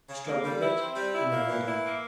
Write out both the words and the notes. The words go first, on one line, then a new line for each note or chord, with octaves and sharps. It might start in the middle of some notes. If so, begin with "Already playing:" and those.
He struggled a bit and then lay down.
C#3
A#3
G3
E4
C4
G3
E4
A#3
E3
E4
A#3